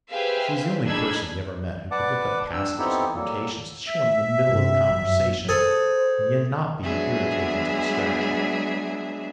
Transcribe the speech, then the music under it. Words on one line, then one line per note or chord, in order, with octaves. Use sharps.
She was the only person he ever met who could look up passages and quotations to show him in the middle of the conversation, and yet not be irritating to distraction.
G4 G#4 B4 C5 E5 F5
D4 D#4 G#4 B5 E6 G#6
B4 D5 F#5 A5 D6
G2 D4 E6
B3 C4 D#4 E4 G4 A4
F#3 G3 A#3 A4
E5
G1 G2 C3
G1 F#2 F#3
G#4 A4 C5
F#3 G#3 B3 D4 G#4 E5